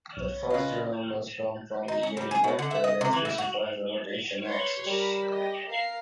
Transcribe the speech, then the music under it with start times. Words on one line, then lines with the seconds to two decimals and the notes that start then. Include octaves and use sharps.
The first two numbers come from the unit vector that specifies a rotation axis.
0.17 B1 C#5
0.50 C#3 F4 B4 D#5 F5
1.88 D#4
2.03 C#4
2.17 G3
2.31 G#4
2.44 B2
2.59 D3
2.71 E5
2.84 D#5
3.01 C3
3.13 E3
3.25 E4
3.38 F#4
4.43 B4 C#5 C6
4.86 G3 A#4 B5
5.31 G4 D#5
5.68 A#4 F5 C7